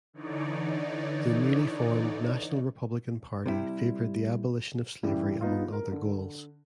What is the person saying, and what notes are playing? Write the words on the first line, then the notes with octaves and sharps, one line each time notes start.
The newly formed national Republican Party favored the abolition of slavery among other goals.
D3 E3 D#4 C#5 D5
C3 G3 E4
A2 C#3 E3 G3
B3 D#4 F4
A#4
D3